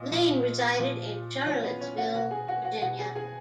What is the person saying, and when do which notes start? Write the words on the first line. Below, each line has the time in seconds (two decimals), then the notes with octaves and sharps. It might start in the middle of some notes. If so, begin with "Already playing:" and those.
Lane resided in Charlottesville, Virginia.
Already playing: A#2 D#5
0.11 A#2 F3
0.79 A#2 F3
1.46 A#2 F3 C#4 C#5
1.63 B3 B4
1.80 C#4 C#5
1.97 F#4 F#5
2.14 B2 F#4 F#5
2.31 G#4 G#5
2.48 F#4 F#5
2.65 F#4 F#5
2.82 B2 F#4 F#5
2.99 G#4 G#5
3.15 G#4 G#5